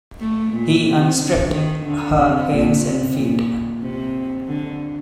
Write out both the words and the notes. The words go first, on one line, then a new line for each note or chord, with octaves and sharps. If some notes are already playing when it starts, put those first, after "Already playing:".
He unstrapped her hands and feet.
A3
A#2
C3
D3
D#3
D3
C3
A#2
C3
A#2
C3
D3